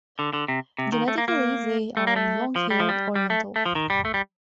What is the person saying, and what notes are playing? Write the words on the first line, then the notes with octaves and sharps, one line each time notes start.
Genetically they are long-haired Oriental.
D3
D3
C3
C3
D#3
A3
A#3
A#3
A3
A#3
A3
F3
G3
F3
G3
G3
A3
A3
F3
D#3
G3
A3
G3